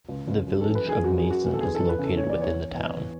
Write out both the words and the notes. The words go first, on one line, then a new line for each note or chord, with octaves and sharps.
The Village of Mason is located within the town.
C#2
C#2
F#2
E3 A4
B4
E3 G#4
F#2 F#4
G#4
F#2
F#4
E3
A4
E2 G#4
E2 A4
B4
C#3 A4
E3 C#5
D5
E2 C#5
E2
E2
E2